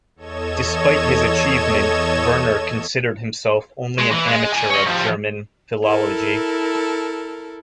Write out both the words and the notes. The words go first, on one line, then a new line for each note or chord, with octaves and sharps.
Despite his achievement, Verner considered himself only an amateur of German philology.
E2 A4 C#5 D#5 G#6 E7
G#3
E3
G#3
D5 G#5
C#5 D#5
F3 G3
E4 A4 A#4